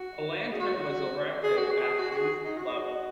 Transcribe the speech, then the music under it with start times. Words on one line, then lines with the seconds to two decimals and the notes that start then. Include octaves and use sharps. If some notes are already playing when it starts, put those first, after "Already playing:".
A lantern was erected at roof level.
Already playing: F#4
0.52 G#4
0.60 F#4
1.43 G#4
1.58 F#4
1.71 G#4
1.99 F#4
2.11 F#4
2.16 G#4
2.45 D#4
2.57 F#4